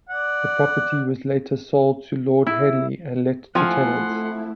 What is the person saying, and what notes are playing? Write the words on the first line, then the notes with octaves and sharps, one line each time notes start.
The property was later sold to Lord Henley and let to tenants.
D5 F#5
E4
F3 A3 C4 E4 F4 F#5 G#5 C6